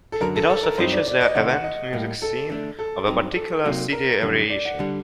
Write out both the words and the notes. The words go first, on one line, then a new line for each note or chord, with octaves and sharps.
It also features the avant music scene of a particular city every issue.
A4
F#2 D3 F#3 A#4
A4
A4
A#4
G2 F#3 C4 D#4 C5
D5
D5
D#5
C3 D#3 A3 F#5
F#5
D#5
A2 G3 A#3
A4
D3 A3 D4
A4
G2 F#3 C4 D#4
A4
C3 F#3 A#3 D#4
A#4
F#2 D3 G3
D5
F#5
D3 G3